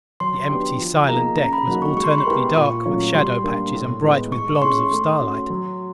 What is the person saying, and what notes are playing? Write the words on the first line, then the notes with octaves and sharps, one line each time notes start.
The empty, silent deck was alternately dark with shadow patches and bright with blobs of starlight.
F#3 C6
B3 D4 G4
F3
A#3 D#4 G#4 A#5
C#3 A#5
B5
F#3 A#3 D#4 F#4
C#6
G#3 C#6
C6
B5
C6
B3 E4 G4 A#4
A#2 C#6
F#3 A3 C#4 F4
G3 C6
A#3 D4
A2
E3 G#3 B3 E4
G#3 C#6
C#6
C#4 E4 G#4 C6
A3
C#4 F#4
F#3